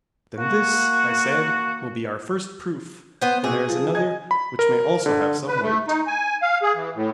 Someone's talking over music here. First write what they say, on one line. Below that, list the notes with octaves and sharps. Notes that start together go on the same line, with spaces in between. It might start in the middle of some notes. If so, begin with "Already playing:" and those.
Then this, I said, will be our first proof; and there is another, which may also have some weight.
A#3 F#4
B3 C5
C3 F#4 G#4
F3
D#5 G#5 G#6
B5
A#4
D3
B4
A3
D#4
G#5
F5
G#4
E3
A2